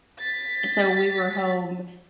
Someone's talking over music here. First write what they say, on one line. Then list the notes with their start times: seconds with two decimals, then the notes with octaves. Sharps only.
so we were home
0.19 A6 B6